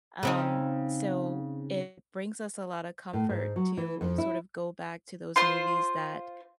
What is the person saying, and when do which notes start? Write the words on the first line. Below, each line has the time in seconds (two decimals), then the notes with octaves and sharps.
Um, so it brings us a lotta comfort to sort of go back to those movies that,
0.23 C#3 C4 D#4
3.13 A2
3.29 G#2
3.56 F#3
3.77 E3
4.01 F2
4.18 E4
5.36 F4 C5 C6